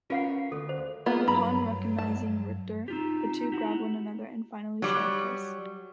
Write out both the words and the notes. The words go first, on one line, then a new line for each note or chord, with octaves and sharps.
Upon recognizing Rictor, the two grab one another and finally share a kiss.
C#4 F4 A#4 B4 F5 F#5
D2 A4
C5
A#3 B3 F4 G#4
G2 F#3 A#5 B5
A5
C4 D#4 F4 G4
E4 F#4 G4
F#3 G3